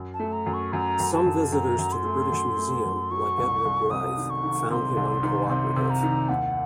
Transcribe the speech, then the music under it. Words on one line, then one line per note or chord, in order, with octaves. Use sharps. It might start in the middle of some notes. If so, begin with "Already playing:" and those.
Some visitors to the British Museum like Edward Blyth found him uncooperative.
Already playing: F#2
A5
A3
A#5
F#2
C#6
F#2 A#5
F#2
A5
F#2
F#2 A#5
F#2
C6
A3
F#2
A3
F#2
F#3 C#6
C2
C2
C3 D#6
D#3
C#6
D#3
C3 C6
C2
D#3
C3 C6
C3
A#5
D#3
D#2 F#5